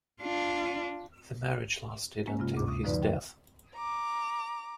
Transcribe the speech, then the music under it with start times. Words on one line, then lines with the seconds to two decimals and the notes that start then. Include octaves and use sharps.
The marriage lasted until his death.
0.22 D4 F4
2.27 G#3 A#3 C#4
2.39 G2 C3 F4
2.53 D2 D6
2.67 C#6 D#6
2.83 F#2 D3 F3 D#4 B4 D5
3.02 G5
3.75 A#5 D6